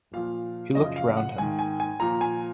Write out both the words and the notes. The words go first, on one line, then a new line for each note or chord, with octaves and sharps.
He looked round him.
A#2 F3 F5
F#2 C#3 F3 D#5
F5
F#5
G#2 D#3 G#5
G#5
G#5
A#2 F3 A#5
G#5